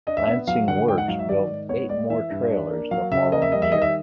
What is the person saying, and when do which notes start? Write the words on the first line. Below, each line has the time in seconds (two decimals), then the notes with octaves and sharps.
Lancing Works built eight more trailers the following year.
0.07 D4 D#5
0.17 E5
0.27 B3 E5
0.47 F#3 F5
0.68 D3 F#5
0.88 G#2 G5
0.98 F#5
1.08 F#3 F5
1.19 E5
1.29 D#3 D5
1.49 G#2
1.69 B3 C#5
1.89 G#3 D5
2.10 E3 E5
2.31 G2
2.51 D4
2.71 A#3
2.91 F#3 F5
3.11 C#3 E5
3.32 A#3 D#5
3.42 E5
3.52 G3 D#5
3.62 E5
3.72 D#3 D#5
3.82 E5